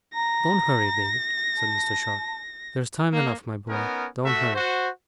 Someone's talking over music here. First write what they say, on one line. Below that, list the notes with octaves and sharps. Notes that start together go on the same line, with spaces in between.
'Don't hurry, David,' said Mr. Sharp. 'There's time enough, my boy, don't hurry.'
A#5 A#6
A5
A#3
B3 C#4 D#4 A#4
A3 F#4 E5
F#4 C5